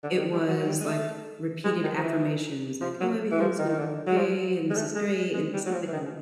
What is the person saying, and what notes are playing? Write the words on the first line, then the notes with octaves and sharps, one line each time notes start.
it was, like, repeated affirmations, like, "Oh, everything's gonna be okay, and this is great." And stuff like that.
D3
D#3
G3
F#3
F#3
G3
G#3
A3
G#3
D#3
F3
E3
F3
F#3
E3
F3
D#3
D#3
D3
F#3
F3
G#3
A3
G#3
G#3
G3
F#3
F3
E3
D#3